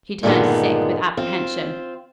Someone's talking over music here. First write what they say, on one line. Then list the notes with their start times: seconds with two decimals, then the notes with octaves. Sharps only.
She turned sick with apprehension.
0.23 G2 A#2 D3 D#3 G#3 B3
1.17 C4 F4